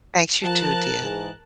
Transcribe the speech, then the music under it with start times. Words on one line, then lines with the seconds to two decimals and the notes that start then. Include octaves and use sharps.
Thanks, you too, dear.
0.43 F3 A#4 A5 F#6
1.02 G#2 E3 G#4